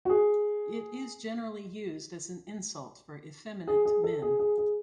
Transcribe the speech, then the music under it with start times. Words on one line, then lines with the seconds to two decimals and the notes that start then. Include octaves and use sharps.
It is generally used as an insult for effeminate men.
0.05 F#4
0.09 G#4
3.67 G#4
3.85 G#4
4.04 A4
4.22 G#4
4.39 G#4
4.58 G#4